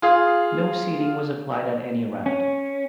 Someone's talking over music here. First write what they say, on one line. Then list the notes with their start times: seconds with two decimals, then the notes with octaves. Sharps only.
No seeding was applied at any round.
0.02 F4 G#4 F5
2.26 C#4